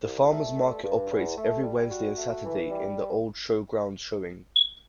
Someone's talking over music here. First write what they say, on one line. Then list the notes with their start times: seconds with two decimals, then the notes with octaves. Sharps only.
The Farmer's Market operates every Wednesday and Saturday in the old showground showing.
0.03 C2
0.31 A3
0.57 G2
0.83 G2
1.11 E2
1.37 A3
1.63 G3
1.90 F#4
2.16 A3
2.43 E3
2.69 G3